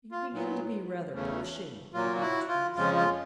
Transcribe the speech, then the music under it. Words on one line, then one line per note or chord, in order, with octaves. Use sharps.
"You begin to be rather pushing," the Old Tree said.
F4
A#2 F#3 B3
E2 C#3 E3 A3
A#2 F#3 A#3 F4
E4 F#4
F4
F2 C#3 F3 G#3 F4
F4